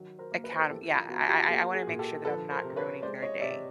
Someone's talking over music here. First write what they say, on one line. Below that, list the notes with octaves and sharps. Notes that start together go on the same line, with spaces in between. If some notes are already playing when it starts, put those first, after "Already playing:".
account Yeah, I I I I wanna make sure that I'm not ruining their day.
Already playing: D#3 F#3
A#4 C5
A#3
B4
C5
A4 B4
E3 G4 A4
F4
B3 F#4
F4 G4
A#3 F#4 G#4
F#4 G#4
A#2
G4 A4
F3 A4 B4
A#4 C5
C3
B4 C#5
G#3 C5 D5
C#5 D#5
C3 D5 E5